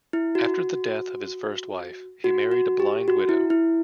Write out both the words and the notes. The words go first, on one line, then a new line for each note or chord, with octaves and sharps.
After the death of his first wife, he married a blind widow.
E4
F#4
F#4
F#4
G4
F#4
E4
E4